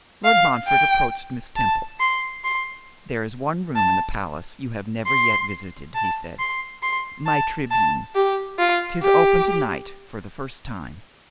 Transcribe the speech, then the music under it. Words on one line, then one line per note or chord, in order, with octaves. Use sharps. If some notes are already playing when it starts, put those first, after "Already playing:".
Lord Montfort approached Miss Temple. 'There is one room in the palace you have never yet visited,' he said, 'my tribune; 'tis open to-night for the first time.'
F5
G5
A5
C6
C6
A5
C6
A5
C6
C6
A5
A5
G4
F4
G4